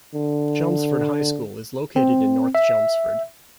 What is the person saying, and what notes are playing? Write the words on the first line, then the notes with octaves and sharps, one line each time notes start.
Chelmsford High School is located in North Chelmsford.
D3
C4
E5